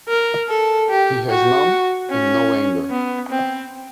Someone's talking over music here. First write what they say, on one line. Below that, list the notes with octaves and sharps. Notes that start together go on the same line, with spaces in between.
He has none, and no anger.
A#4
A4
G4
F#4
C#4
B3
C4